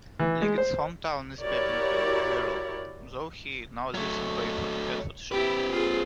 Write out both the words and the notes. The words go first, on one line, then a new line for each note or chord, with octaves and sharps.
Liggett's home town is Bebington, Wirral, though he now lives in Bayford, Hertfordshire.
E3
G#3
C5
E4 F#4 G4 A#4 C#5 D5
F#3 A3
C4 E4 G4 B4
F4 G#4